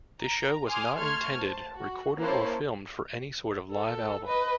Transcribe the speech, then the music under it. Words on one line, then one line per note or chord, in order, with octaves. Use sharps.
This show was not intended, recorded or filmed for any sort of live album.
A#5
G#5 C6 D6 D#6 F6
A3 A4 C6 C#6 F6 G#6
C5 A5
F#4
A#3 C#4 E4 C5 C#5 A5
A4
B4 D#5